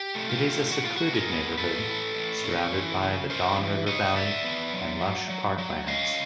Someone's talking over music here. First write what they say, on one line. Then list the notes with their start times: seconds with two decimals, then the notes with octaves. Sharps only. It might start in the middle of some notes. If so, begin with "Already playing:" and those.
It is a secluded neighbourhood, surrounded by the Don River Valley and lush parklands.
Already playing: G4
0.15 A3
0.29 F4 G4
0.44 A3
0.72 A2 F#4
0.85 F4
0.97 A2 F#4
1.15 G#4 A#4
1.30 B3
1.58 B3 A4 B4
1.87 A2
2.15 A2
2.44 C#4
2.73 E3
3.02 C#3
3.30 C#4 A#4 C5
3.59 E3
3.87 C#3 C#5 D#5
4.16 F#3 D5 E5
4.44 B3
4.73 F#3
5.01 F#3
5.30 F#3
5.58 F#3
5.87 C#4 D#5 F5